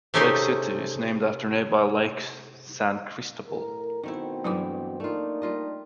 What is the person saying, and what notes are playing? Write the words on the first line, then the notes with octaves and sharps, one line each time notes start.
Lake City is named after nearby Lake San Cristobal.
C3 A3 C#4 D#4 G4 G#4
A2 A#4
B2 D#3 A3 B3 C4 E4
G2 E3 F#3 A3 D6
A3 A#3 D4 D#4 F4
G3 F4 D#5